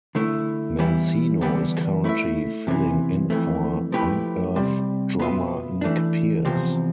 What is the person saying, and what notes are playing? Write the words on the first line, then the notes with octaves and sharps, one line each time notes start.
Mancino is currently filling in for Unearth drummer Nick Pierce.
D3 A3 E4
E3 G3 B3 E4
E2 D3 G3 B3 D4
A3 E4 B4 E5
E2 C3 E3
F2 E3 A3
F3 A3 E4 G4 B4
C3 G3 C4
B2 B3 F4 B4 E5
E3 A3 D4
E2 C3 F3 C4